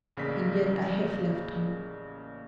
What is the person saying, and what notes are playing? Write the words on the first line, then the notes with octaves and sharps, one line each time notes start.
And yet I have left him.
A1 C#3 A#3 D5 B6